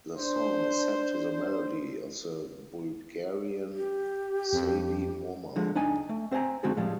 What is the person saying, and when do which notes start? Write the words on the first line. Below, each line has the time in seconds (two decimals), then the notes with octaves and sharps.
The song is set to the melody of the Bulgarian "Sadi Moma".
0.16 D4 C5
3.75 G4
4.53 F2
5.56 D3 F3 G#3
5.75 C#2 D4 D#4 D#5 G5 G#5
6.09 A3
6.31 C4 C5 D#5 G#5 A#5
6.63 D3 G#3 C4 F#4 G#4
6.77 A2 F3 G3 G#3